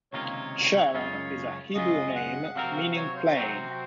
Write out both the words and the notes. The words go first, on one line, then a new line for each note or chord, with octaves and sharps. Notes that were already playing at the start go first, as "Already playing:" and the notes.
Sharon is a Hebrew name meaning "plain".
C#2 C3 D#3 A#3 F4 C#5
F#2 C#3 G#3 C#4 F4
F#2 C#3 G#3 C#4 F4 D#5
F#5
C3 F#3 C4 F#4 A#4 F5
F5
C#5
C5
C3 F#3 C4 F#4 A#4 C5